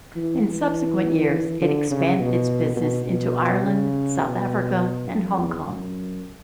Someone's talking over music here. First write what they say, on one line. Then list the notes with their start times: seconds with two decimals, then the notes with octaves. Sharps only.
In subsequent years, it expanded its business into Ireland, South Africa, and Hong Kong.
0.16 E3
0.45 E3
1.61 D3
1.90 C#3
2.19 B2
2.76 B2
3.06 B2
3.63 C#3
4.21 B2
5.07 F#2
5.36 E2
5.66 F#2